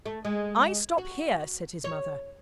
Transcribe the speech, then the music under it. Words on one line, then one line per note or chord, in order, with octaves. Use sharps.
'I stop here!' said his mother.
A3
G#3
F#4
C#5